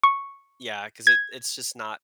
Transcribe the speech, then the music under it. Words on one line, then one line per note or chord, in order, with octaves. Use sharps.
Yeah, 'cause it it's just not
C#6
G#6